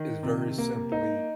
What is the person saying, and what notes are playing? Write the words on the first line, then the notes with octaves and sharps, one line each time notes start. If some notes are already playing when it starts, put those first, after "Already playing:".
is very simply,
Already playing: D#3
C3
A#3
D#4